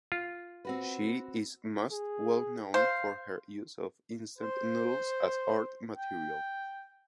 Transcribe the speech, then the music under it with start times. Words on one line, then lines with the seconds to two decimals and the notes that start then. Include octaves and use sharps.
She is most well known for her use of instant noodles as art material.
0.12 F4
0.65 C4 F#4 B4
1.92 G#4
2.74 C5 F5
4.38 C5
5.94 G5